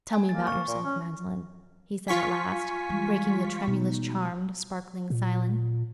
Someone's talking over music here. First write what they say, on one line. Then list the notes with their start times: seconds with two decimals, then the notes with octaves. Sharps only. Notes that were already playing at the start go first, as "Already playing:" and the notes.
"Tell me about yourself, Magdalen," he said at last, breaking the tremulous, charmed, sparkling silence.
0.13 G#5
0.29 A#3 A6
0.47 C#6
0.68 A#2
0.83 C#4
2.08 F4 G#5 C#6 B6
2.89 E3 G3 G#3
3.68 B2 D#4
5.10 A#2